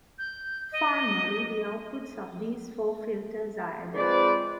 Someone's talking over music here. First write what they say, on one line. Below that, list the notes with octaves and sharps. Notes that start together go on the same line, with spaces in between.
Finally, the outputs of these four filters are added.
G6
D#5
G#3 C4 F4 B4 C5 D5